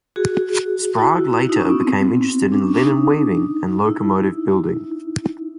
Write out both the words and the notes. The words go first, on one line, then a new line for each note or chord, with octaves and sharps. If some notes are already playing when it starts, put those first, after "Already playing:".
Sprague later became interested in linen weaving and locomotive building.
F#4 G#4
E4 F#4
E4
D#4
C#4
B3
C4
D4
C#4
D4
D#4
E4